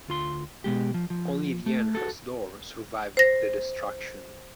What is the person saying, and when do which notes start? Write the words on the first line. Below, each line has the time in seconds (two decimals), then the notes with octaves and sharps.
Only the entrance door survived the destruction.
0.08 D2 F4 C6
0.64 B2 G#3 G4
0.94 F3
1.10 F3
1.66 A3
1.95 F#4 A4
3.17 C5 A#6